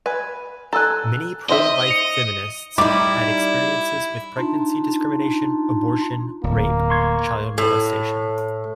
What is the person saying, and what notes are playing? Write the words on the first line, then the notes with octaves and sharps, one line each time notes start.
Many pro-life feminists had experiences with pregnancy discrimination, abortion, rape, child molestation.
B4 G#5
A4 G#5 A#5 E6 F#6
D#4 C5 D#5 E5
C#7 F7
G3 D#4 E4 D6
D4 D#4 F4
D1 A#3
C6 C#6 G#6
A2